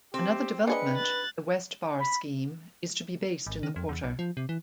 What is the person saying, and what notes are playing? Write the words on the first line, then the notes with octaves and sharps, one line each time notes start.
Another development, the West Bar scheme is to be based in the quarter.
C4 G4
D4 G#4 B4 D#5 C#7
F#6 A6
B5
G#1
D#3
F2
E2
B1
F3
C3
E3